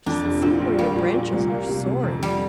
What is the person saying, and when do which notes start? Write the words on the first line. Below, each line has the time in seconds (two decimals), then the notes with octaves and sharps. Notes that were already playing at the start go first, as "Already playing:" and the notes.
Just see where your branches are soaring.
0.06 F2 D4
0.24 F1
0.42 A#2 C4
0.60 A#1
0.79 G3 A#3
0.96 A#2
1.14 A#2
1.32 C2
1.50 A#3
1.69 C3
1.86 C3
2.04 F2
2.23 F2 G3